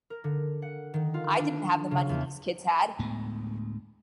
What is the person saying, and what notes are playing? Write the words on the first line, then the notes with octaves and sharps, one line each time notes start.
I didn't have the money these kids had.
A#4
D3
F#5
D#3
F4
D4
C#3
E2
D2 A2 G#3 B3